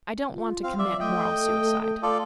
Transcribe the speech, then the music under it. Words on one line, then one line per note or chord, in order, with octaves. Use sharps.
I don't want to commit moral suicide.
F4
C4 F5
F#3 D5 E5
A3 D#5 G5
F4 A4 D5